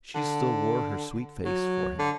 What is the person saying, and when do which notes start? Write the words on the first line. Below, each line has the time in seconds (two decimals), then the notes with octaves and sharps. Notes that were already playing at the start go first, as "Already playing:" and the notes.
She still wore her sweet face for him.
0.15 D3
1.45 F#3
1.99 D3